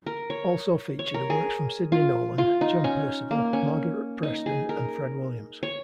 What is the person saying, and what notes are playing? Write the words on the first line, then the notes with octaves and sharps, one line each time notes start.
Also featured are works from Sidney Nolan, John Perceval, Margaret Preston and Fred Williams.
A#4
C#5
C#5
A#4
G#4
F4
F4
D#4
C#4
A#3
C#4
D#4
G#4
A#4
C#5